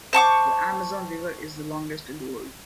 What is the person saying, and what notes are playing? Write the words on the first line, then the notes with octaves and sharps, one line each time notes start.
The Amazon River is the longest in the world.
C5 A5 C#6 D6